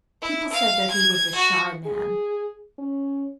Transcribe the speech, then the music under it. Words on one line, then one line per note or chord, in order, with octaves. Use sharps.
People said that he was a shy man.
E4
F5
G#6
F#4
G#4
C#4